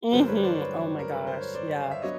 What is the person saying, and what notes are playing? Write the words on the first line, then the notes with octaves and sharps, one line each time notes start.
Mhm. Oh my gosh. Yeah.
G2 D3 F#3 A3 A#4 C5
B4 C#5
C5 D5
B4 C#5
A#4
B4
C5
C#5
C5 D5
F5
E5
F#3 B3 D4 C#5 D#5